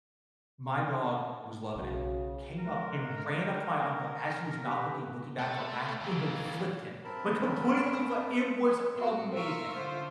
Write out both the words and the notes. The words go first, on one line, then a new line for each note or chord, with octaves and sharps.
my dog was loving it, came up and ran up to my uncle as he was not looking, looking back for a pass and, like, flipped him, like, completely flat, it was amazing.
B1 C#3 F#4
G#3 A#4
G4 B4
A3
D#2 E3
G2 C4 A#4 A5 B5
A#2 C4 F#4
F4 A#4 E5 F5 C#6
D3 F4 C5